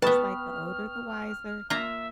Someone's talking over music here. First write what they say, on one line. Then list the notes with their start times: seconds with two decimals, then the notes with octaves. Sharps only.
It's like the older, the wiser,
0.02 B3 B4 G5 A5 C#6 D#6 F6
1.70 A#3 F4 E5 A#5